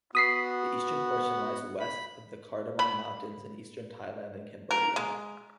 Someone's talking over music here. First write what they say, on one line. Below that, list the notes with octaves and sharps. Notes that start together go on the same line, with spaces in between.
The eastern portion lies west of the Cardamom Mountains in eastern Thailand and Cambodia.
B3 F#4 D#6 B6 C7
B5
B5
A#4
G#3